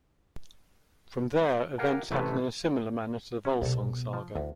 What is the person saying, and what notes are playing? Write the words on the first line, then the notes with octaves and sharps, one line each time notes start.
From there events happen in a similar manner to the Volsung Saga.
G4 A#4 F5 F#5 G#5
A1 C3 A3 B4 C#5 A5
C#4
C2 B2 B3 A4
F3
D2 E4